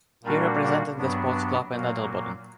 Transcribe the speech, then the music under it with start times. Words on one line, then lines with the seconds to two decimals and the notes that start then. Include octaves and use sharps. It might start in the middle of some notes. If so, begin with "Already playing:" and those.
He represented the sports club in Adelboden.
0.23 A#2 G3 A#3 D4 F#4
0.98 G2 F#3 B3 D4
1.72 A#2 F#3 A#3